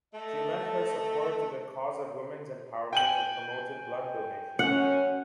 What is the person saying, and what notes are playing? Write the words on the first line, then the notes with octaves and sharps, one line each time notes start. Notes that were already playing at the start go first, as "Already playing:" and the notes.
She lent her support to the cause of women's empowerment and promoted blood donation.
A3 A4 D#5 A5
G5 G#5 F#7
F#2 C#4 F#5